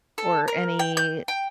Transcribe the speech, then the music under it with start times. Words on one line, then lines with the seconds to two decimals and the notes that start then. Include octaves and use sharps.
or any
0.18 A4
0.48 A#4
0.79 G5
0.97 G6
1.28 G5